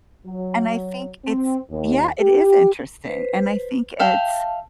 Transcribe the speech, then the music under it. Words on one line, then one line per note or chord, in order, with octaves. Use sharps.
And I think it's yeah, it is interesting and I think it's
F#3
C4
D#2
G4
B4 C5
E5 F5 G5 A5